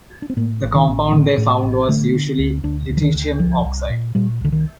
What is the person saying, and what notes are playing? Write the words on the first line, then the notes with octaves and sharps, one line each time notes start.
The compound they found was usually lutetium oxide.
D4
C4
A2 A#3
A1
D#3
A1
A2 D3
A2
A1
D3 A3
D3
D2
D2 D4
D2
F3
D#3
D2
C2 F3
C2
A#2
A#2 G3
C2 D3
D#3